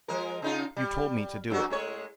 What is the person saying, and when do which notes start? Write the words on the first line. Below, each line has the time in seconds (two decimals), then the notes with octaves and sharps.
"You told me to do it."
0.08 F3 G#3 A#4
0.42 C#3 D#4 F4
0.76 G3
1.50 G2 F#3 F#4
1.70 A2 G#3 C#5